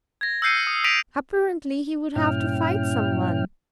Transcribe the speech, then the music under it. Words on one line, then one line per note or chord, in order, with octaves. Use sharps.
Apparently, he would have to fight someone.
G#6 A#6
E6 F6 G6 C7 C#7 D#7
D#6
E6 A#6 B6 D7 D#7 F7
G2 A#2 C#4 E4 G5 F6